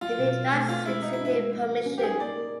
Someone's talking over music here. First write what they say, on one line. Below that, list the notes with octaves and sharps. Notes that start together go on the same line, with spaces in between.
He did not seek city permission.
F#3 F4
B2
C4
A3
B3 F4
G#3 E4
D#4 F#4
E4
D4
E4
G#3
F3
F#4
C#4
G4
D#4 G#4
A#3 D5
A#4